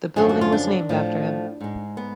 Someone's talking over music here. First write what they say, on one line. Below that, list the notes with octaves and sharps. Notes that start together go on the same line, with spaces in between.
The building was named after him.
F#2 D3 F3 G#4
F#4
F4
D4
A2 F3 A3
G#2 G#3
B3